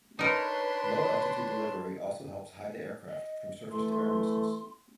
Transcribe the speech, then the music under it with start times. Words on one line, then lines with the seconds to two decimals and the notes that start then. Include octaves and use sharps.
Low-altitude delivery also helps hide the aircraft from surface-to-air missiles.
0.19 D4 D#4 A#4 B4 C#5 C6
3.08 D#5
3.71 E3 A3 C6